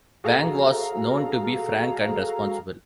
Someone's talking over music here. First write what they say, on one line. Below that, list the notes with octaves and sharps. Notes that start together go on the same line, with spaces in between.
Wang was known to be frank and responsible.
F#4 G#4 A4 F5 A#5